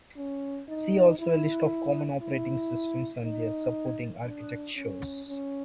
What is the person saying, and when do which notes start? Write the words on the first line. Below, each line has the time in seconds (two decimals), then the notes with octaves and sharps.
See also a list of common operating systems and their supporting architectures.
0.17 C#4
0.68 D#4
1.19 E4
2.21 E4
3.23 D#4
4.25 D4
4.76 C#4
5.28 C#4